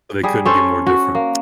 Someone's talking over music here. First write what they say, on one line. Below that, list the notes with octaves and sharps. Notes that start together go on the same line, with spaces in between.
They couldn't be more different.
G3 G#4
C#4 A4 C5
F#4
A#3